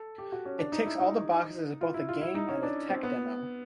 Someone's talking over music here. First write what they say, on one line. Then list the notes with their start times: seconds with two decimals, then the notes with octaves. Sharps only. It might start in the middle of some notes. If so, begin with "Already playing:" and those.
It ticks all the boxes as both a game and a tech demo.
Already playing: A4
0.18 G4
0.32 F#4
0.45 C#4
0.59 D4
0.72 D#4
0.86 E4
0.99 D#4
1.81 F4
1.94 E4
2.09 F4
2.21 E4
2.35 D#4
2.49 C#4
2.63 D4
2.89 C4
3.03 B3